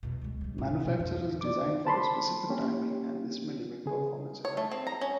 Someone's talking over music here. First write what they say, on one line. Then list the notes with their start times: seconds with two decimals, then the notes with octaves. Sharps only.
Manufacturers design for a specific timing and this may limit performance accordingly.
0.03 E2 B2
0.21 C#2 G#3
0.41 C#3 G3
0.58 G#2 C3
0.86 B2 D4
1.00 F2
1.41 D5 D6
1.85 C5 A5 B5 C6
2.49 A#3 C#4 G4
3.86 C#3 G#4
4.45 C#5
4.57 A3
4.71 C4
4.87 A#5
5.01 C#4